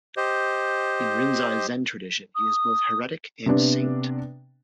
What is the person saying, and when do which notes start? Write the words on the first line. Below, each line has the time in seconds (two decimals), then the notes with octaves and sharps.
In Rinzai Zen tradition, he is both heretic and saint.
0.17 G4 C5 D#5
2.35 D#6
3.46 C3 B3 D4